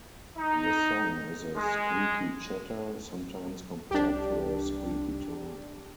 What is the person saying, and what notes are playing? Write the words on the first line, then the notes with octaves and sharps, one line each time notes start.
The song is a squeaky chatter, sometimes compared to a squeaky toy.
D#4
G#3
C2 D4 G4